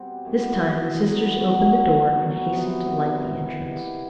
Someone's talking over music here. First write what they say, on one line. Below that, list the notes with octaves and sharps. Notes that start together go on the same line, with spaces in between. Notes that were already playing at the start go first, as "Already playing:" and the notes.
This time the sisters opened the door and hastened to light the entrance.
Already playing: B2 G3 C4
F#2 E3 B3
F#2 E3 B3
F#3 B3 F#4
F#3 B3 F#4
B2 F#3 B3 F#4
B2 F#3 B3 F#4
C3 F#3 B3 F#4
C3 F#3 B3 F#4
D#3 G3 B3 E4
D#3 G3 B3 E4